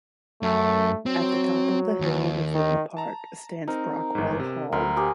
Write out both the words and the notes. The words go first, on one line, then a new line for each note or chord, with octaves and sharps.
At the top of the hill within the park stands Brockwell Hall.
F#2 A3
F#3 C4
D#2
D#3
A5 A#5
C4 D#4 A#4
G1 G#2
C3
D2 A#4 C5 B5
G4 G#4 A#4